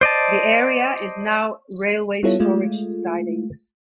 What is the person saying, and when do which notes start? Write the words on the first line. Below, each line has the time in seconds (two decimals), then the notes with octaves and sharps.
The area is now railway storage sidings.
0.01 C5 D5 D#5 A5
2.23 G3 B3 E4 F4 A4 C#5
2.40 G#3 A3 F4